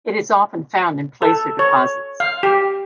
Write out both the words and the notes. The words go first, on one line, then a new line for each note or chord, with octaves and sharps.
It is often found in placer deposits.
A4
C#5
F5
G4